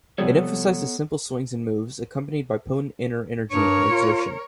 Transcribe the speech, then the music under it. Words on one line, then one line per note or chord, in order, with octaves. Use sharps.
It emphasises simple swings and moves accompanied by potent inner energy exertion.
C3 F3 G3 B3 A4 C#5
G2 A#4 C#5
F4